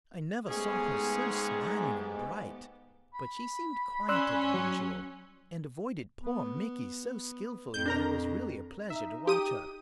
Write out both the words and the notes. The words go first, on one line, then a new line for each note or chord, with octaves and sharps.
I never saw her so smiling and bright; but she seemed quieter than usual, and avoided poor Micky so skilfully that it was really a pleasure to watch her.
G#2 A3 B3 C#4 G4 G#4
B5
C#4 D5 C6 E6 F#6
F#3
B3
F2 G6
D4 A#4 A#5
D#4 E5
G4 D#6 D#7